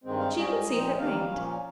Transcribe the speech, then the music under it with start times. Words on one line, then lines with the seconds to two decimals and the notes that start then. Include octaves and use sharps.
She would see if it rained.
0.04 G2 D#3 G#3 C4
0.19 F5
0.35 G#2 G3 C#4 D#5
0.67 A#2 F3 C4 D#4
0.99 D#3 G3 A#3 F5
1.31 A#2 F3 A#3 C#4